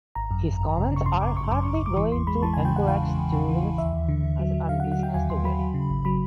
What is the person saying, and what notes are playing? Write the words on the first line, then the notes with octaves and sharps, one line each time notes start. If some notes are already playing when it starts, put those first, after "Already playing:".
His comments are hardly going to encourage tourism and business to Wales.
G#1 A#5
F#2
G#1
G#1
C#3
C#3 C#6
C#3 C6
G#1 D6
G#1 C#6
F#2 D6
C#6
F#2
C#6
G#1 D6
E3 C#6
E2 C6
G#3 B5
E3 A5
G#5
C#3
G5
E2 F#5
E3 F5
C#3
E2
C#3
E3
E3
D#2 E5
D#2
D3
D3
F#3
F#3
D3 F5
F#5
F#3
F#5
F#3 G5
D#2 G#5
D#2 C6
F#3 B5
F#3
C#3
G#1
F#3 B5